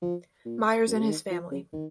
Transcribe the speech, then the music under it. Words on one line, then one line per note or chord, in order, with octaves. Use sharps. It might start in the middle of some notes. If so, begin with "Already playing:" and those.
Myers and his family.
F3
A#2
F#2
B2
C#3
D#3
F3
C#3
D#3